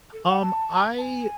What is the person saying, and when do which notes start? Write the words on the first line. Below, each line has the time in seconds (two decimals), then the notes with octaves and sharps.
Um, I
0.13 A4
0.27 F#5
0.41 A5
0.98 A5
1.02 G#5